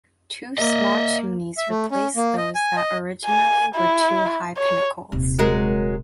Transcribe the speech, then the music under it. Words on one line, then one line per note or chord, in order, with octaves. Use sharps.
Two small chimneys replace those that originally were two high pinnacles.
A#3 D#5 E5
E5
A3
C#4
A#3
D#5
G#5
D#5
G#5
E4
C#5
D#1 C3
F#3 G#3 A#4